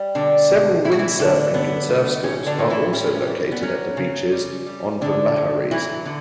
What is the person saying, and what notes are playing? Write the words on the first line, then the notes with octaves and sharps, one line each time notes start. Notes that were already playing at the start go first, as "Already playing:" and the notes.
Several windsurfing and surf schools are also located at the beaches on the Maharees.
Already playing: G3
B2 D3 D4
B2
A2 E4
F#4
E3 E4
A2 D3 D4
D3 B3
A3
A2 C#4
D3 D4
A2
E3 E4
G3 C#4
G3
B3
F#3 C#4
C#3
G3
G3
A2 D3 D4
A2
E3 F#3 E4
D3